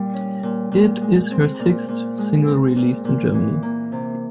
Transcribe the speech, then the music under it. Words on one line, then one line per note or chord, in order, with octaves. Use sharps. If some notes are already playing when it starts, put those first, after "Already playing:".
It is her sixth single released in Germany.
Already playing: A#2 G3
C#4
A#2
A#2
G#3
C4
A#2
A#2
G#3
C4
A#2
A#2
E3
A#3
C3